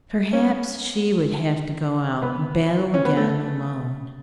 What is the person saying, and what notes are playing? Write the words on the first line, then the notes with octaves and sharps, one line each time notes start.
Perhaps she would have to go out and battle again alone.
C#4
B3
C#4
B3
A3